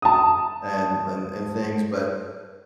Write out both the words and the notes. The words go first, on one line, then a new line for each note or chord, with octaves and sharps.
and and and things, but
A5 D#6